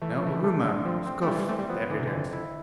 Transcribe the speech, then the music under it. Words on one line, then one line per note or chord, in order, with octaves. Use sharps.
Now, a woman scoffs at evidence.
E3 A3
F3
E3 A3
A3
D3
F3 C4
C4
A3
E3 G3
G3
A3 C4
G3
F3 B3
D3 E3
C3
F2 D3
E4